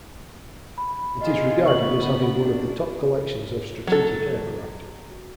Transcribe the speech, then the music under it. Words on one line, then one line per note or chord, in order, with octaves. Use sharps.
It is regarded as having one of the top collections of strategic aircraft.
B5
F4 G#4 D#5
C#3 B3 C#6 F#7
D4
F#3 A4